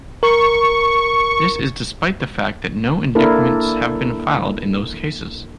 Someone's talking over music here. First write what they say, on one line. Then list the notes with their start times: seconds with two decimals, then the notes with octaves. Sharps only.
This is despite the fact that no indictments have been filed in those cases.
0.23 A#4 C#6
3.15 A#3 D4 E4 A4 A#4